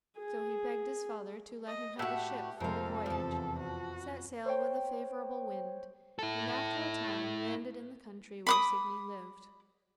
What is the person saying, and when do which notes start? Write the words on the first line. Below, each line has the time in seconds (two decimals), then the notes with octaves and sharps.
So he begged his father to let him have a ship for the voyage, set sail with a favourable wind, and after a time landed in the country where Signy lived.
0.18 G#4
1.67 D#5
1.99 A2 F#4 G4 E5 E6 F#6
2.60 F2 C3 G#3 C4 A4 A#4 C5 F5
3.06 E2 C3 F3 A5
3.59 F#4
4.46 C5 C#5 G5
6.19 E4 A4
8.47 B5 D6 D#6